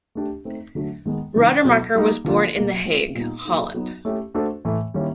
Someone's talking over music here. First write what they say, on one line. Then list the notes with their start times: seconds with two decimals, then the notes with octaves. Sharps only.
Radermacher was born in The Hague, Holland.
0.15 A3 D4 G4
0.45 A3 C4 D#4
0.75 D3 F#3 A3 D4
1.05 D#3 G#3 B3
1.35 C#3 E3 G#3 B3 D#4
1.65 B2 F#3 B3 E4 A4
1.95 G3 A#3 D#4
2.25 D3 F3 A#3 D4 F4
2.56 B2 G3 A#3
2.85 G#3 C4 F4
3.15 A#2 G3 B3 D#4
3.45 F#3 A#3 D#4
3.74 F#3 B3 D#4 F#4
4.05 A3 C#4 E4 G4
4.34 A3 D4 F#4 A4 C5
4.65 A2 E3 A3
4.94 D#3 G3 A#3 C#4 E4